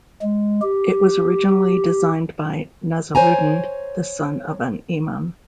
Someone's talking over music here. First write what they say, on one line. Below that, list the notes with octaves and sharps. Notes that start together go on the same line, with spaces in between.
It was originally designed by Nazaruddin, the son of an imam.
G#3
G4
C5 C#5 G#5 A#5